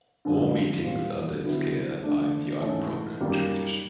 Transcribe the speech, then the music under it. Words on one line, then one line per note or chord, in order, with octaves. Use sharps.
All meetings under its care are in the unprogrammed tradition.
F#2 D3 F3 G#3
A#2 G3 C4 F4
D3 F#3 B3 E4
D3 F3 A3 D4
G#2 E3 A3 C#4
F#2 D#3 G3 A#3